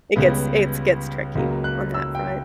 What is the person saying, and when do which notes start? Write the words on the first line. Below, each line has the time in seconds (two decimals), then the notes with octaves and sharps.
it gets it's gets tricky on that front,
0.16 C#2 C#3 G3 B3
1.35 C#2 C#3 F#3 A#3
1.64 F#6
1.94 E6
2.15 G5